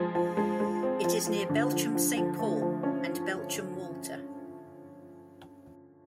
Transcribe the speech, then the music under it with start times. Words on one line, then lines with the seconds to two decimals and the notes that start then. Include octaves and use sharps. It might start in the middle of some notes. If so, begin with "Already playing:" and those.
It is near Belchamp Saint Paul and Belchamp Walter.
Already playing: F3 G#3
0.15 F3
0.37 G#3
0.60 G#3
0.83 C4
1.04 F3
1.27 F3
1.49 D3
1.72 F3
1.95 F3
2.17 F3
2.39 A3
2.62 F3
2.83 C#4